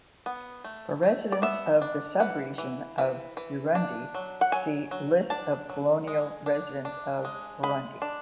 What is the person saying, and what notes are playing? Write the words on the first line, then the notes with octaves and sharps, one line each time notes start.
For residents of the subregion of Urundi, see List of colonial residents of Burundi.
B3
A3
A3
D5
B3 E5
D4
E3 F#5
E3
E3
E3
D4
F#3
F#5
F#3 G#5
F#3
D4 A5
F#3
G#3
D4
D4
G#3
G#3 B5
D4